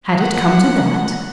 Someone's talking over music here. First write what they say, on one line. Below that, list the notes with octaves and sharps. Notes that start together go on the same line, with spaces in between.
Had it come to that?
F#5